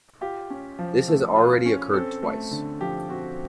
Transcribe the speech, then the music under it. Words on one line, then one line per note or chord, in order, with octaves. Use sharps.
This has already occurred twice.
F4 G4
C#4
F3
A3
F4
C#4
C4 A4
A3
D3
F3 G4
C4 F#4